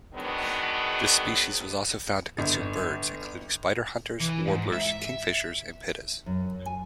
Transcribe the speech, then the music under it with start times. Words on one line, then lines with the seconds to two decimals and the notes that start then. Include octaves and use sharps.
This species was also found to consume birds, including: spiderhunters, warblers, kingfishers, and pittas.
0.14 D#3 F#3 G#3 B3 D4
2.38 G1
4.20 E3
4.47 G#2
4.73 E5
6.26 F#2
6.66 G#5